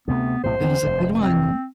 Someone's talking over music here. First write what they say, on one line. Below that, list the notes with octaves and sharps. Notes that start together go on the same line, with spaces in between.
It was a good one.
D2 C3 A3 B3
B1 A2 C3 C5
E2 C4
F1 G2
C4